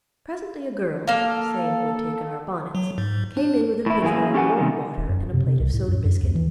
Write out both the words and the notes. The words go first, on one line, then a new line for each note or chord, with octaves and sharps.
Presently a girl, the same who had taken our bonnets, came in with a pitcher of warm water and a plate of soda biscuit.
A#3 A4 F5
F#3
G#2
D4
A2 E4
F#2 E3 A#3 G#4
C#4 G4 A4 F#5 G#5
C3 D#3 G3
D#1
F#2
C3
C3
C2
A2
F#2
F#2
D#2
E3